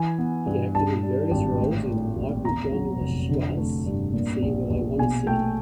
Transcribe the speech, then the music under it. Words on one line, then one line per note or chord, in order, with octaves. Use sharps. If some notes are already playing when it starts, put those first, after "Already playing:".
He acted in various roles in Michael John LaChiusa's "See What I Wanna See".
Already playing: E3 G#5
B3
G2
G2 A5
G3
G#1
A2
A3
A#1
E2 A#5
F#3
F1
D3
A3
G2
A#2
A#1
A#1
B2 G#5
A3 G5